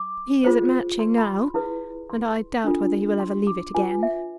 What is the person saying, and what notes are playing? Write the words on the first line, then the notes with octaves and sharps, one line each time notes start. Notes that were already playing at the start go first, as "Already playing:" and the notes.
He is at Matching now, and I doubt whether he will ever leave it again.
Already playing: D6
F4 G#4 C5
C6
B5
C6
E4 G#4 B4
C6
D4 F4 A4
C6
D6
F4 B4 G#5
E5